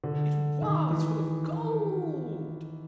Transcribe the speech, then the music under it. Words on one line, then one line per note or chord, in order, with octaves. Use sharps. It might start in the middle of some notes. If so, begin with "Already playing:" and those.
It was full of gold.
D3
D#3
E3